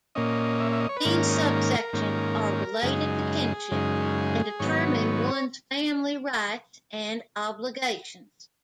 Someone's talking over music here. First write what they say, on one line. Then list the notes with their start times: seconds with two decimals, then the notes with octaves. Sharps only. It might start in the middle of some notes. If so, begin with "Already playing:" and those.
These subsections are related to kinship, and determine one's family rights and obligations.
0.15 A#2 A#3 C#4 D#5
0.60 E5
0.72 E5
0.80 D#5
0.89 C#5
0.97 B4
1.05 G#2 D#3 A#3 C#4 A#4
1.93 G#2 D#3 A#3 C#4
2.82 F#2 C#3 G#3 D#4 G#4
3.71 F#2 C#3 G#3 D#4
4.59 G#2 D#3 F#3 B3 C#5